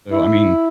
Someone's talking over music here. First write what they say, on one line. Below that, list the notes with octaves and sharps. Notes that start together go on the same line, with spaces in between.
So, I mean,
E4